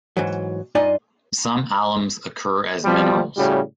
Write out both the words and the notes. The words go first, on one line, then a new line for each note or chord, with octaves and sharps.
Some alums occur as minerals.
G#2 E3 F#3
G2 D#4 F4 D5 D#5 G#5
B2 F3 G3
A2 C#3 G3 F#4